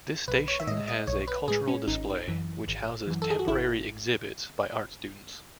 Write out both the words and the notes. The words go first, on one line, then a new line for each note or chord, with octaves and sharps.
This station has a cultural display, which houses temporary exhibits by art students.
B1 B4
C#5
E5
A2 G#3 D#5
D#5
B1 C#5
B4
A2 G#3 G#4
C#4
G#1 D#4
F#2 E3
G#1
F#2 E3
A4
G#4
F#4
G#1 E4